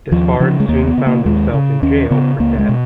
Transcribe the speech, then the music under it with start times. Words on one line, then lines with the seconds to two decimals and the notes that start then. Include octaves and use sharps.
Despard soon found himself in jail for debt.
0.11 D#2 F3
0.40 C#3 F3
0.60 G#3
0.68 D#2 A#3
0.87 B3
0.97 C#3
1.06 A#3
1.25 D#2 G#3
1.54 C#3
1.82 D#2 C#4
2.11 C#3 B3
2.40 C#2 A#3
2.59 G#3
2.69 B2